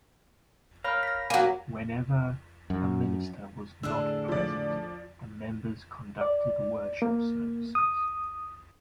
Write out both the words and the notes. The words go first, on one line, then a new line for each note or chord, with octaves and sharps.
Whenever a minister was not present, the members conducted worship services.
A#4 C#5 F5 B5 F6
A#6 B6
F#3 A#3 G#5
F#2
A2 D3 D4 G#4 A4 E6
F3 D5
D5
A#3
D#6